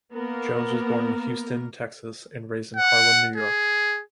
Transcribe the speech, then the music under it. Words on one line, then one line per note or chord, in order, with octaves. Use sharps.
Jones was born in Houston, Texas and raised in Harlem, New York.
A#3 B3 A#4
F#5
G#4